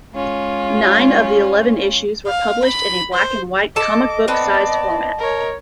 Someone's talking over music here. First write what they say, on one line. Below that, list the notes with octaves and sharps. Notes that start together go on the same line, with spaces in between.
Nine of the eleven issues were published in a black-and-white comic book-sized format.
G#3 C#4 F4
F5
B5
C5
A4 D#5 A5 D6
B3 C4 D5 A5
A#4 C#5